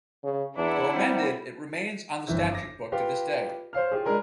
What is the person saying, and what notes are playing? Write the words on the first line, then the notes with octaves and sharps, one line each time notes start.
Though amended, it remains on the statute book to this day.
C#3
E2 D4 E4 F#5 A#5
G3 C4
G1 F2 E3 E5 G6
D6 A#6
F4 G4 B4 F5
C5 C#5 F5 F6
F4 G4 G#4
G#3 D4 G#4 A#4 B5